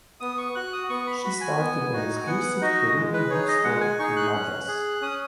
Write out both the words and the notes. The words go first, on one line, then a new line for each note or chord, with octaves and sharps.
She started an exclusive Telugu bookstore in Madras.
B3 D#6
C#6
F#4 F#6
D#6
B3 C#6
B5
F#4 B5
G#5
B3
D#4 F#4
B3 F#5
D#4 F#4 D#5
G#3
B4
D#4 G#4 C#5
D#5
G#3 F#5
G#5
D#4 G#4 C#6
F#6
C#4
G#4
C#4 D#6